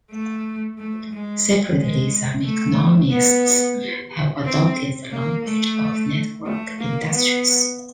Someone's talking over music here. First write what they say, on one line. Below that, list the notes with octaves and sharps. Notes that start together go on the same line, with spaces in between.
Separately, some economists have adopted the language of 'network industries'.
A3
A3
G#3
G#3
A3
B3
C4
A#3
A3
A3
A#3
B3